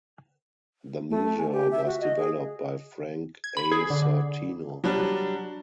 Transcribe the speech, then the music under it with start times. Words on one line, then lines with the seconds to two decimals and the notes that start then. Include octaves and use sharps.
The measure was developed by Frank A. Sortino.
1.10 A3
1.38 G#5
1.52 G4
1.72 E5
1.86 F#4
2.00 D#5
2.17 G#4
3.44 G#6
3.57 B5
3.72 G#4
3.90 D3
4.02 D3
4.84 F#3 G3 D4